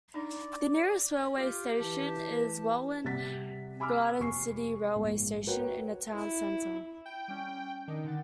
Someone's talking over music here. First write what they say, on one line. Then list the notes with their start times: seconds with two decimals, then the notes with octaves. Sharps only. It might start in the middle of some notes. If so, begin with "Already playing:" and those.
The nearest railway station is Welwyn Garden City railway station in the town centre.
0.14 D4 D#4 D5
1.37 F4 G4
1.80 E3 A5
2.53 A5
3.04 C3 G3 F#5 A6 B6
3.80 G#5 B5 D6 E6 F6
4.19 F1 G#5 C#6 C7
4.95 A#1 G#2
5.47 F#4 A#4 B4 C#5 F#5 G5
6.13 E4
7.06 G5
7.28 G3 C#4
7.88 D#3 D4 D#5
8.04 D3 F#5 A6